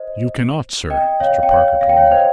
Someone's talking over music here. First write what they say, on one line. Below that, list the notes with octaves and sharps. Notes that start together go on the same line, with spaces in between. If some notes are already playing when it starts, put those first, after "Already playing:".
"You cannot, sir," Mr. Parker told me.
Already playing: C5 D#5
D#5 G5
C#5 F5
G5
C#5 F5
F5
G5
C#5 F5
C5 D#5